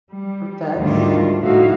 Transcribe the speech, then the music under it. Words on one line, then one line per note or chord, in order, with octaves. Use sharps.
Um, vets?
G3
D2 G#2 D#3 G3 D4 F4
A2 F3 D#4 E4 F#4 F5